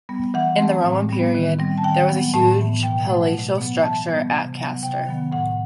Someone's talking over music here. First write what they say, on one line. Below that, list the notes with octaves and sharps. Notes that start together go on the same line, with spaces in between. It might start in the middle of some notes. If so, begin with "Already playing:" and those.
In the Roman period, there was a huge palatial structure at Castor.
G3 B3
E3 F#5
A3 C4
A2
G3 B3
D#3
G3 C4
A5
D#3 G5
F#3 B3
A2 A5
E3 B3
B2 G5
F#3 A3
B2
F#3 B3
E3 A5
G3 B3
C3
F#3 B3
C3 G5
D#3 F#3 B3
A2 F#5